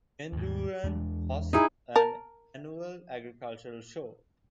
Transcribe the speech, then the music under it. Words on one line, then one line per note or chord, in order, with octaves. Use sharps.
Mendooran hosts an annual agricultural show.
D#2 G#2
E2 G#3 D4
D#4 E4 G#4
A#4 A5